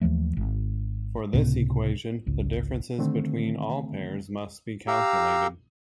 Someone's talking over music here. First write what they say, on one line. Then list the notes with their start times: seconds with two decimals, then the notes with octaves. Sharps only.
For this equation, the differences between all pairs must be calculated.
0.01 D#2 E3 F3 A3
0.37 G#1
1.33 C#2 A2 C3 B3
2.26 G#1 C#2
2.99 D3 D#3 A3 C4
4.88 G4 F5 A#5 E6